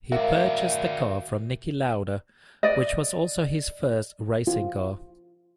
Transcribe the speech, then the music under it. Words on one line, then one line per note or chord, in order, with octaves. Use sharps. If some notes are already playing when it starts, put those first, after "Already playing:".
He purchased the car from Niki Lauda, which was also his first racing car.
F#4 A#4 D5 E5 F5
D5 D#5
F4